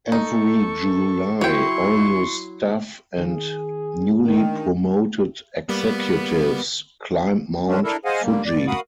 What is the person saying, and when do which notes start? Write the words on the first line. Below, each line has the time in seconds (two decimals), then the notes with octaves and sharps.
Every July all new staff and newly promoted executives climb Mount Fuji.
0.12 D#4 A4 C#6
1.41 F#3 E4 C#5 G5 C6 C#6
3.18 D#3 G#4
4.25 D#3 D4
5.69 G3 A#3 B3
7.68 F3 F#3 G#3 A3 C#4 D4
7.84 D4 E4 A4 A#4
8.05 G#4 C5 D#5 F5 F#5 G#5
8.22 D3 G3 A#3
8.45 G2 D5
8.67 F#4 A#4 F5 F#5 B5 D#6